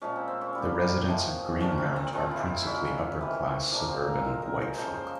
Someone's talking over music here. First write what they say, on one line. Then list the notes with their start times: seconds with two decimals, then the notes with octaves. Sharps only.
The residents of Greenmount are principally upper class suburban white folk.
0.02 A#2 F3 G#3 C#4
0.16 C4
0.28 C4
0.41 C#4
0.55 A#2 G3
1.07 C3 F3 G#3
1.60 A#2 F3 G#3 C#4
1.78 C4
1.96 C4
2.13 A#2 F3 G#3 C4
2.31 E4
2.49 E4
2.66 A#2 G#3 C#4
3.19 C3 E3 G#3
3.71 A#2 F3 G#3 A#3
3.89 C4
4.07 A#4
4.25 A#2 G#3 A#4
4.42 A#4
4.60 C5
4.77 C#3 F3 G#3 C5
4.95 C5